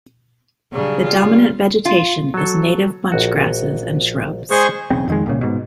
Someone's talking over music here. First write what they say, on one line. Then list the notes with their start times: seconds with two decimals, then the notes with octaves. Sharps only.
The dominant vegetation is native bunchgrasses and shrubs.
0.73 C#3 F#3 G3 D4
1.03 G3 F4
1.85 F4
2.34 F#3 A4
3.12 A#1 F#4
4.51 G#3 G#4 C5 D5 D#5 C#6
4.90 E1 B1 C#3 C4
5.08 F2 D#3 G#3
5.26 C2 A#2 C#3
5.41 G#2 B2